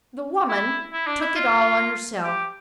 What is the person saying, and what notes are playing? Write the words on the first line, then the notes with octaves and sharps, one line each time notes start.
The woman took it all on herself.
E4
E4
D4
E4
F4
G4